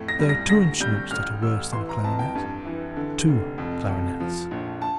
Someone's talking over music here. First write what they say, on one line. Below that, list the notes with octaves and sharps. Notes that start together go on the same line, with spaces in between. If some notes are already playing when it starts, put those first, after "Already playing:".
There are two instruments that are worse than a clarionet--two clarionets.
Already playing: F2 A2
A#6
G3
A#6
D2 A#6
G3 G6
A1 F6
A1 E6
E3 C6
A#5
F2 A5
G5
G2
E3
D3
F1
F2
F2
F3
A#1
A5